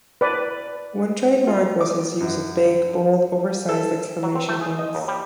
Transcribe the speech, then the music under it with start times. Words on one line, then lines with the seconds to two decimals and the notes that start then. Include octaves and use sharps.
One trademark was his use of big, bold, oversized exclamation points.
0.21 B4 D5
1.47 F4
1.81 D6
2.20 F#2
3.69 A4
4.23 F#3
4.35 C4
4.48 A3
4.61 G#4
4.79 D#5
4.95 D#2
5.08 G3